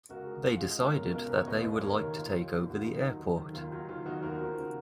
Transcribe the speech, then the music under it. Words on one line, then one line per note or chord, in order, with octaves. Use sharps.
They decided that they would like to take over the airport.
C#2 F#4 A#4
G#3
C#2 F4
G#3 F5
D#5
C#2 A#4 C#5
B2
C#2 A#4
B2 B4
C#5
D#2 B4 D#5
D#2
D#2 A#4 C#5
D#3
D#2 F4
D#2
D#2
D#2 F#4
F4
D#3 D#4
F#3
D#3
D#3
D#2 F4
F#3 F4
D#3 F4
D#3 D#4 F#4
D#2 F#4 A#4
F3
C#3